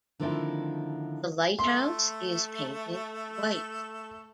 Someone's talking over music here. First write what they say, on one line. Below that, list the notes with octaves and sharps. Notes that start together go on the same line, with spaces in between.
The lighthouse is painted white.
D3 D#3 F3 A3 C4 E4
A3 C6